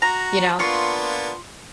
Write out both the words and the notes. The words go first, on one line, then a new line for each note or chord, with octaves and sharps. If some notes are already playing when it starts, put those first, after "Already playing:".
you know
F#4 A#5
A#3 B3 D4 F4 C#6